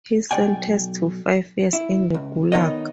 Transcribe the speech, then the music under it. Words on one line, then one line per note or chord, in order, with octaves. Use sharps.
He sentenced to five years in the Gulag.
B1 F#3 D5 G5 G#5
E4
C#2
D#3 B3 D#4 A#4 C#5 D#5